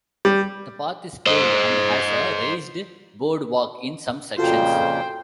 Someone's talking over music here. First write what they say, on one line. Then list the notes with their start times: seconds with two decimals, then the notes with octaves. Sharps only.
The path is paved and has a raised boardwalk in some sections.
0.25 G3
1.26 C5 D#5
4.38 F2 A#2 C#3 F4 F#4 A4 C5 G5